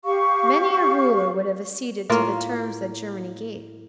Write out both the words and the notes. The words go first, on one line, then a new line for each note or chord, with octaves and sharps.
Many a ruler would have acceded to the terms that Germany gave.
G4 F5 C#6
A2 A#3 F4